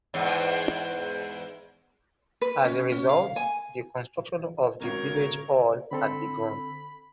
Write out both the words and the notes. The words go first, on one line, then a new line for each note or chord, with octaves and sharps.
As a result, the construction of the village hall had begun.
E2 G#2
B4
C#4
C#4
F5
G#5
G#1 F#2 B2 A#4 C#5
D3 C4 A4 B5